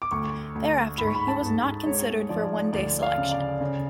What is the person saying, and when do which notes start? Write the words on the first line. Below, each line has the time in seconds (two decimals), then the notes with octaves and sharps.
Thereafter, he was not considered for one-day selection.
0.02 D6
0.11 D2 C#6
0.55 D2
0.98 G#2 B5
1.07 C#6
1.15 B5
1.28 A5
1.42 G#2
1.86 G#3 C#5
2.29 F3 D5
2.73 D2 D5
3.03 F5
3.18 C#3
3.31 D5
3.61 C#3